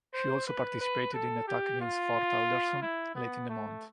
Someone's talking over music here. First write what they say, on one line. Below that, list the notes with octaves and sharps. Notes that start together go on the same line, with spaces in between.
She also participated in the attack against Fort Anderson late in the month.
C5
B4
B4
A4
G4
F4
E4
B3
A3